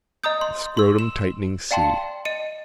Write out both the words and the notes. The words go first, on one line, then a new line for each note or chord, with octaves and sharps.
The scrotumtightening sea.
D#5 A#5 D#6 G6
C6
C6 E6
E7
D5 F5 G5 A5 C6
D#5 C#7 D#7